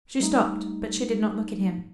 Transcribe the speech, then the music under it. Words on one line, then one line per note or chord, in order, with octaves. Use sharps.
She stopped, but she did not look at him.
G3 A3 D#4